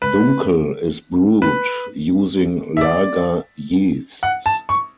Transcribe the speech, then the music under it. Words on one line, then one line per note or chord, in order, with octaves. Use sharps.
Dunkel is brewed using lager yeasts.
B4
B4
E5
D5
F#5
A5
C#6